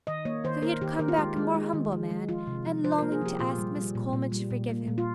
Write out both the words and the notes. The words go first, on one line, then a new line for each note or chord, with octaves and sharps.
So he had come back a more humble man, and longing to ask Miss Coleman to forgive him.
D#3 D#5
A#3 C#5
D#3 C5
A#3 A#4
D#3 G4
D#3 A#4
F4
G#3 G4
G#3
G#3
D#3
G#3
G#3
F3 F4
C3
F3
F3 C5
A#3 A#4
G#4
F3 G4
A#2 F4
G3
G3
A#2
A#2
G3
A#2
A#3
A#2
F4